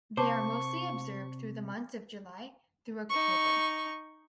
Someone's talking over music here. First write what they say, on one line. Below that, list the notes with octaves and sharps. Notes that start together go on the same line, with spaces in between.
They are mostly observed through the months of July through October.
C3 C5 A5 C#6 D6
D#4 C#6